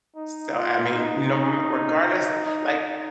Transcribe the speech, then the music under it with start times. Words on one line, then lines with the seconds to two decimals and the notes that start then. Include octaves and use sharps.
So, I mean, you kno m regardless, like,
0.16 D#4
0.55 F4
0.93 D#4
2.46 D#4